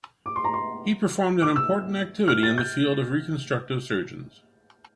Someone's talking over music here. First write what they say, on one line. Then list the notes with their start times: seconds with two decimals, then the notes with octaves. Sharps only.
He performed an important activity in the field of reconstructive surgeons.
0.26 D6
0.36 C6
0.44 A#5
0.54 C6
1.42 D6
1.56 E6
2.28 F6
2.43 A6
2.58 G6